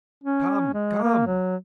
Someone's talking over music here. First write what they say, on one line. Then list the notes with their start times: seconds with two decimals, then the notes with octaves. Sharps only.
"Come, come!"
0.24 C#4
0.74 G#3
1.03 A#3
1.27 F#3